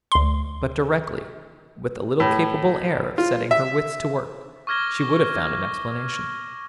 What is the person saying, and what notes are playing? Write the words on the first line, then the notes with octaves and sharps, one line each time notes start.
But directly, with a little capable air of setting her wits to work, she would have found an explanation.
D2 C6
A2
F4
E5
C#6 D6 F6 G#6 A#6 G7